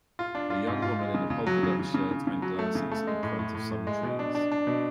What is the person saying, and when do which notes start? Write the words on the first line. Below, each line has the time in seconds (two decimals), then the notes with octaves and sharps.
A young woman in a polka dot shirt and glasses in front of some trees.
0.19 F4
0.35 D4
0.50 F4
0.67 G#2
0.82 F4
0.99 G#3
1.14 C#3
1.30 C#3
1.47 F#3
1.63 C#3
1.79 C#3
1.94 C#3
2.11 C#3
2.27 C#3
2.42 F#3
2.59 A3
2.75 C#3
2.91 A3
3.07 G#3
3.23 A2
3.39 A2
3.55 A2
3.71 A2
3.87 G#3
4.03 B2
4.19 D4
4.35 D4
4.52 D4
4.67 B2